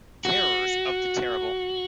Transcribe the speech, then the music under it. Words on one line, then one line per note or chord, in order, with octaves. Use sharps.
Terrors of the terrible!
F#4